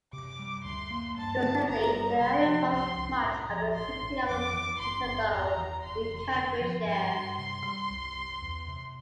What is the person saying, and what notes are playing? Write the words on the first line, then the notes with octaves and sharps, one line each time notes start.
Presently, the area forms much of the City of Peterborough in Cambridgeshire.
C3 D6
G3
D2 C6
A#3
G2 A5
D3
G1 A#5
G3
C3 C6
F3
C2 C6
C2
A2 A#5
F3
A1 C6
A1
F2 D6
E3
G1 C6
G1
E2 A#5
E3
F1 C6
F1
D3
F3
G2 C6
G2
C3 C6
G3
C2
C2
E2
C3